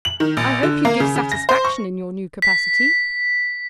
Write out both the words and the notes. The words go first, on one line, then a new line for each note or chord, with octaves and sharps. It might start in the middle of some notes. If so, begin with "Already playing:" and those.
'I hope you give satisfaction in your new capacity.
F#7
D#3
A#1
D3
A#3
C#3
C#3
A#6
C5
C#6
B6